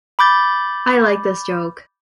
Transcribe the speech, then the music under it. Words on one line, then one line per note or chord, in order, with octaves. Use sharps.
I like this joke.
B5 D6 G6 A6